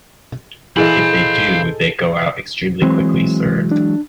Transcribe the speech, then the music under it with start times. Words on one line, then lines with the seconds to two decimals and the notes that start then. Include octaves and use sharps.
If they do, they go out extremely quickly, sir.
0.77 E3 G#4 A4 C5 D#5 F5 B5
2.82 E3 F#3 G#3 C4
3.71 D4